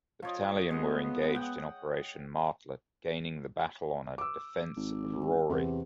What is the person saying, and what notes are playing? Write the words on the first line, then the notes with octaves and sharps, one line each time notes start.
The Battalion were engaged in Operation Martlet gaining the Battle Honour "Defence of Rauray".
F3 C#5 D#5
G#3 B3 D#5
F#5 G5
D6 E6
G#1
E2 C3